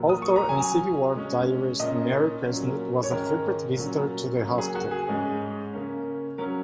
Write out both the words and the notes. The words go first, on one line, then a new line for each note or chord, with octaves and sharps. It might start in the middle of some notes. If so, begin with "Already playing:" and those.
Author and Civil War diarist Mary Chesnut was a frequent visitor to the hospital.
Already playing: A#2 F#3 A#3
D#6
C#6
A#5
C#3 F#3 C#4 G#5
C#3 G#3 C#4
A#2 A#3 C#4 D#5
A#2 F#3 A#3 C#4
C#5
G#2 D#3 G#3 C#4 A#4
A#2 F#3 A#3 C#4
C#3 F#3 A#3 C#4
G#4
F#4
G#4
G#2 G#3 C#4
C#3 A#3 C#4
C#3 F#3 C#4 A#4